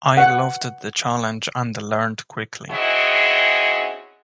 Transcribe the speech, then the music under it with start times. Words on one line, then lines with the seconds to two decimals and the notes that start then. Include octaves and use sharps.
I loved the challenge and learned quickly.
0.17 F#5
2.71 C4 C#4 D#4 E4 F#4 G#4